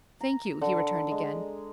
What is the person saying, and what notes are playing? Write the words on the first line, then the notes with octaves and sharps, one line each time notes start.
"Thank you," he returned again.
A#5
D3
G#3